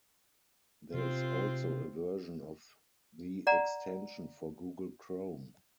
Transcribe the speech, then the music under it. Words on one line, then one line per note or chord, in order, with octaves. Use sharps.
There is also a version of the extension for Google Chrome.
C3 C4 F4
D5 F#5 A#5